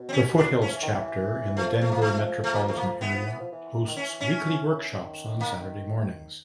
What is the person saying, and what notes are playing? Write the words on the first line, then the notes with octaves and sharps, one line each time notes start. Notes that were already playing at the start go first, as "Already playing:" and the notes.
The Foothills Chapter in the Denver metropolitan area hosts weekly workshops on Saturday mornings.
Already playing: B2
C4
C#4
D4
F3 C#4
E3
D#3
E3
F3 A3
A3
A#3
A3
A3
A#3
A3
A#3
E3 B3
F3
E3
F3
E3
D#3
E3 C#4
C#4
D#3
A#3